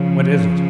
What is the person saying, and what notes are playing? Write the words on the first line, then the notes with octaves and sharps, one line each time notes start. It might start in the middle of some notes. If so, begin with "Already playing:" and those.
"What is it?"
Already playing: C#3 F3